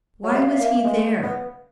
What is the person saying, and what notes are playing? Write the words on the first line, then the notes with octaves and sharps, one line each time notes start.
Why was he there?
F#3
G3 E5
F5
E5
F5
A#3
E5
G#3
B3